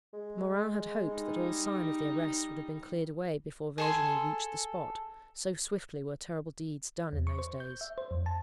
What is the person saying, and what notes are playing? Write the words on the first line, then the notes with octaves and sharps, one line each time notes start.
Morin had hoped that all sign of the arrest would have been cleared away before Virginie reached the spot--so swiftly were terrible deeds done in those days.
G#3
G3 D#4
G#4 A4 C6
E2
C#6
C5
G6
E5
C5
F2
A5